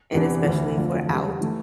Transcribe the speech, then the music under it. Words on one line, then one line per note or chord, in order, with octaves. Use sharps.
And especially if we're out
E2 C3 E3 B3 D4
D2 C3 E3
F2 D3 A3 D4 F4
E2 D3 G3
E3 A3